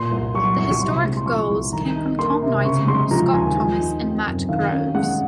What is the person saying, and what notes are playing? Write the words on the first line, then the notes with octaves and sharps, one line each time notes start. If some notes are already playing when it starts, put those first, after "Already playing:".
The historic goals came from Tom Knighton, Scott Thomas and Matt Groves.
Already playing: A#2 C6
C2
F#3 C#6
C2 C#6
C3 C6
G#3
C6
F3 C#6
C2
D#3 A#5
D#4
A#3 C6
C3
C#3 C#6
G#3 C6
F3 A#5
D#2 G#5
F3
D#4
C4
F#2
D#3 F5
C#4
G#3 F#5